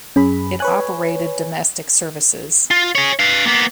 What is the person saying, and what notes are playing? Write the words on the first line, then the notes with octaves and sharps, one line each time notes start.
It operated domestic services.
F#2 C#4 G#4 B5
B4 C#5 G#5 F#6
F4
G#4 C#5
B4 F5
A#3 B3